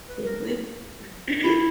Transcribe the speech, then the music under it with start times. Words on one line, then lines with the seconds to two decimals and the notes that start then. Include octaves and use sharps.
The weapons are also used to make Ultimate Fatality with slashing.
0.09 B4
0.26 A#4
1.44 E4